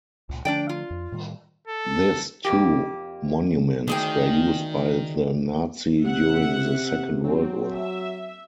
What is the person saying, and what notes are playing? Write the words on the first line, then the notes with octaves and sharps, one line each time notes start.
This two monuments were used by the Nazi during the second world War.
C#2 A#2
D3 F3 A3 D4 D5 G5
F4
F2
A2 D#3 G3
A4
F2 A#3 G4
D2 D#3 G#4 G5
C3 E5 F#5
F#3 C4
E5